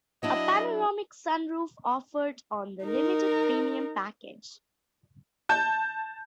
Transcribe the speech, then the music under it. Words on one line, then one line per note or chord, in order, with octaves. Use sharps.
A panoramic sunroof offered on the Limited Premium Package.
F#3 D4 E4 D#5
D#4 A#4
A5 G6